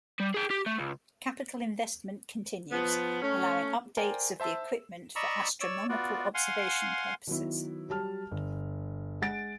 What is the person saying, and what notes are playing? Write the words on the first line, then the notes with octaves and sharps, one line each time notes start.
Capital investment continues, allowing updates of the equipment for astronomical observation purposes.
G3
G#4 G5
G4
A3
C#2
F3 B3
A3 C#4
A#4 C5 D5 G5 G#5
C5 E5 A5 C6 E6
D5 D#5 A#5 B5 C#6 E6
C#5 D5 E6
B3 F4 F#4 D5
F5 F#5 G#5 C6
D#3 F#3 B3 E4
F#3 G3 A5 F6
G1
G#3 F#5 A6 D7